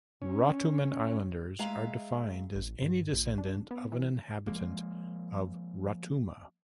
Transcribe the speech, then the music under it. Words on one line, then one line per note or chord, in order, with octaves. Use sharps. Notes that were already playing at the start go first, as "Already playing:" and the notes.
Rotuman Islanders are defined as any descendant of an inhabitant of Rotuma.
C#4
G#3 E5 F5 G#5 A#5
A1
G2
A#1
D4
B3
E3
F3 G#3 A#3